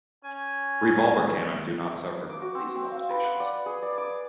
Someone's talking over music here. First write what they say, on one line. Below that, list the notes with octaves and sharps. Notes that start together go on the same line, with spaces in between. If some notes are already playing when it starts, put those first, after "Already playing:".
Revolver cannon do not suffer from these limitations.
C#4 G#5
D6
F#4
C4
C4
F5
B4
F#5
D5
G#4
D5
D6